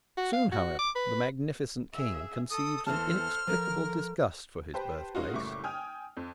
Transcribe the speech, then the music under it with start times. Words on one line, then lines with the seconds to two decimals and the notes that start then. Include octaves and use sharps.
Soon, however, the magnificent King conceived an inexplicable disgust for his birthplace.
0.17 F#4
0.33 F5
0.52 F#4
0.79 D6
0.95 B4
1.93 G#4 E5
2.50 A4 D#6
2.86 E2 E3 A4 C5 A5 F6
3.47 F3 A4 A#4
4.74 G4 B4 C5 G5 A5
5.15 G#3 C#4 D#4 F4 F#4
5.33 F#1 A2 G3 A3 C#6 D6
5.64 G5 G#5 D#6 F6
6.17 F2